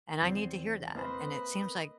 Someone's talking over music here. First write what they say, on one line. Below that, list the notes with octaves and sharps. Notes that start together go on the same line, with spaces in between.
And I need to hear that, and it seems like
E2 C4
A#3 C4 B4 C5 D#5 B5